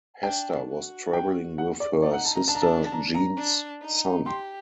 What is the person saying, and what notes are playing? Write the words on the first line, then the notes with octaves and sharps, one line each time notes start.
Hester was traveling with her sister Jean's son.
D4 G5
F#4
G5
F#5
D5
D#4 D5
F#5
A5
A#5
D4 A5
A#5
A5
A5
A#5
A#5
D4
D#4
G4 C6